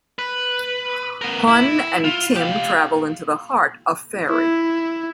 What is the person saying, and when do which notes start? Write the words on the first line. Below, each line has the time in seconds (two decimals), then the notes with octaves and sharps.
Huon and Tim travel into the heart of Faerie.
0.19 B4
1.21 B3 A#4
1.48 E4
2.05 F4
2.36 G4 F5
4.30 E4